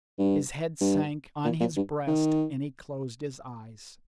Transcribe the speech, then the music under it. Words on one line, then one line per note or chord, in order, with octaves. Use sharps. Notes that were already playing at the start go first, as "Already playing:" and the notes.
His head sank on his breast and he closed his eyes.
G2
G2
A#2
A#2
G2
D#3